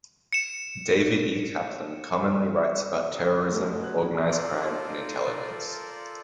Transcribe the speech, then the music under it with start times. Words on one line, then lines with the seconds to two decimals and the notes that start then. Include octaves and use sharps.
David E. Kaplan commonly writes about terrorism, organized crime, and intelligence.
0.33 C#7 E7
3.11 C#3 F#3
3.27 F#2 D#3
3.51 B2 F#3 G#3 A3 G4
3.81 B4 F#6
4.28 F4 A4 A#4 C5 D5